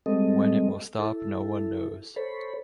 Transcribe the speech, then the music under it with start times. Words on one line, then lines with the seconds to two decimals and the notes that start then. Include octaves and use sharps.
When it will stop no one knows.
0.06 G3 G#3 C4 A4 D#5
0.99 E4 A4
2.16 A4 C5 C#5 B5